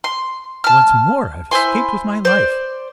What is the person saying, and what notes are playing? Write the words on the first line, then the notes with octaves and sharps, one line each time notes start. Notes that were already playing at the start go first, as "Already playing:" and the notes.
"Once more I have escaped with my life!"
C6
A5 F6
E4 C5 G#5 C6
C5 D5